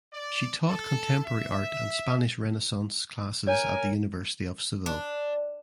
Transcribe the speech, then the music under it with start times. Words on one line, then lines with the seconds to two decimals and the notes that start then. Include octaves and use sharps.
She taught Contemporary Art and Spanish Renaissance classes at the University of Seville.
0.12 D5
0.68 A4
1.26 E5
3.47 A#4 C#5 G#5
4.86 D4